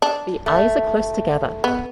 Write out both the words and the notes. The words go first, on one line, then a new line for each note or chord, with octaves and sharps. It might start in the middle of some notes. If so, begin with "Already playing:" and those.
The eyes are close together.
D4
A3
B3